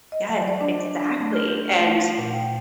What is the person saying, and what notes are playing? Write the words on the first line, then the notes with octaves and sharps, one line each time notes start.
yes, exactly, and
D#5
F#3
D5
D4
D4
A3
F6
G6
A3
F#5
A#2
G5